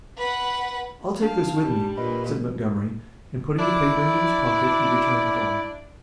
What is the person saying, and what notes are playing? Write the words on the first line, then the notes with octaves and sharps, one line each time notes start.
"I'll take this with me," said Montgomery; and putting the paper into his pocket he returned home.
B4 F#5
D4 F5 A5
G3
A#2 B4 D#5 B5
D4 E4 D5